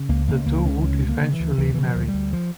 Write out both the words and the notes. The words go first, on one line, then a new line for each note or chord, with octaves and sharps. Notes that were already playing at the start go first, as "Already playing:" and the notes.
The two would eventually marry.
Already playing: C#3
C#2 A#3
C#2 A#3
C#2 A#3
C#2 C#4
D2 C#4
D2
A#3
C#3
E3
D2
D2 E3
C#3 E3
F3
D2
G3
D2
F3